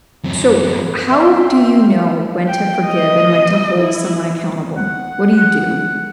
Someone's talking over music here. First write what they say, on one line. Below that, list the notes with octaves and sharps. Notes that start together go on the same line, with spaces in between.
So, ah how do you know when to forgive and when to hold someone accountable? What do you do?
F#2 C4
E5 G5 C6
G5
D#5
E4
F#5
F#5